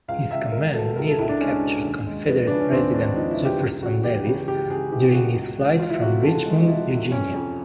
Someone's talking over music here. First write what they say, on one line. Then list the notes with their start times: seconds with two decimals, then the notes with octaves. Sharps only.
His command nearly captured Confederate president Jefferson Davis during his flight from Richmond, Virginia.
0.08 C#2 F5
0.31 C#2 E5
0.52 G#3 A#4
0.75 B2 A4
0.96 C#2 A#4
1.08 A4
1.18 C#2 E4
1.29 D4
1.40 G#3 C#4
1.62 B2
1.85 D#2
2.07 G#3
2.28 F3 B3
2.47 C#3 D4
2.59 C#4
2.72 D#2 C4
2.94 G#3 D4
3.16 F3 D#4
3.31 E4
3.38 C#3
3.45 G4
3.60 C#2
3.82 C#2 F#4
4.04 E3 G4
4.25 C#3
4.48 C#2 G4
4.69 C#2 G#4
4.92 E3 G4
5.13 C#3 F#4
5.35 C#2
5.57 G#3
5.79 F3 F4
5.90 E4
6.02 C3 F#4
6.23 C#2 A4
6.46 G#3
6.61 D#4
6.67 F3 E4
6.90 C3
7.11 F2 C#4
7.34 F2